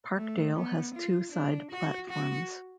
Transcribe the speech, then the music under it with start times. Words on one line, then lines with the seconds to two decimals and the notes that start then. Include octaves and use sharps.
Parkdale has two side platforms.
0.17 A3
0.56 B3
0.95 F4
1.33 D4
1.72 F#4
2.10 F#4